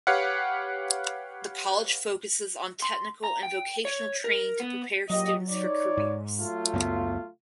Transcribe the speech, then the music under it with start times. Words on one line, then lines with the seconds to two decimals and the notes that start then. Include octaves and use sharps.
The college focuses on technical and vocational training to prepare students for careers.
0.07 G4 B4 C#5 F5 F#5
2.82 C6
3.24 A#5
3.43 G5
3.85 C#5
4.24 A#4
4.60 B3
5.10 A#2 F#3 G4 D#5
5.50 D#4 C#5 D5
5.97 G#2
6.40 F#3 A3 F4
6.73 C#2 F#2 B3